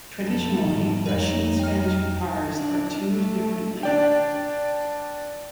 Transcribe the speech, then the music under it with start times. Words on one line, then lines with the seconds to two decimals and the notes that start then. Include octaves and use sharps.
Traditionally, Russian and Spanish guitars are tuned differently.
0.22 F2 A4
0.64 G#2 F3 G3 G#3
1.06 F2 D#4 A#4 C#5
1.59 G5 F6
2.55 D4
3.10 A3
3.83 D4 D5 G5